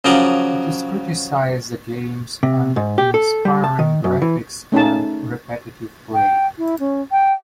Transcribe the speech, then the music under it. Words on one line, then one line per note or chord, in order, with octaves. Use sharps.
It criticized the game's uninspiring graphics and repetitive play.
C#3 F3 F#3 A#4 D5 D#6
C3
G#2
G4
A4
G3
A5
D#3
F#2
E3
A3 C#4 D#4 A5
G5
E4
C#4
G5